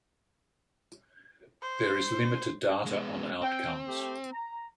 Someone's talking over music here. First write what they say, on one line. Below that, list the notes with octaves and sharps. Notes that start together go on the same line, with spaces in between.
There is limited data on outcomes.
C5
G#3 B3
C4 G5
A3 G4
A#5